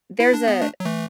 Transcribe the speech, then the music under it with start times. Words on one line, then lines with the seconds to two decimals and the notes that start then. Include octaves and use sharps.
there's a
0.20 E4
0.33 D4
0.48 B3
0.61 A3 D4
0.80 F#3
0.85 E3 A3